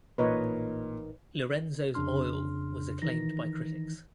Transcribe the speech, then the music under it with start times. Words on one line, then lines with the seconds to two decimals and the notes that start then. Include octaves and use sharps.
"Lorenzo's Oil" was acclaimed by critics.
0.18 A1 A#2 D#4 A#4 B4 C#5 D#5
1.94 F2 C#3 D4 C6 F6
3.02 D#3 E3 D#4 A#6